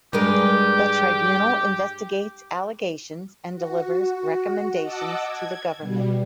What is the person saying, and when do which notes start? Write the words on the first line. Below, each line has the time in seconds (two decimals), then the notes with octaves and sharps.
The tribunal investigates allegations and delivers recommendations to the government.
0.13 G2 G#3 G4 A#4
3.53 F#4
4.82 D#5 F#5 A5 D6 E6
5.22 G#6
5.79 B2 G3